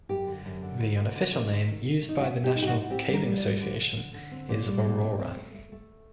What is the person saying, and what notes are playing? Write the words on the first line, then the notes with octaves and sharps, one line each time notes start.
The unofficial name used by the national caving association is "Aurora".
F#2 G4
D3
F#2
D3
D2
D2
D3
D3
A3
D#3
D#3
A3
D#4
A3 F#4
D#4
G4
D#4
G4
F#4
A2
C4 G4
G3
A#4
G3
D5
G3
D3
D3
D3
D3
C4
A#2
G3
A#2
C4
C4
A3
A3
A3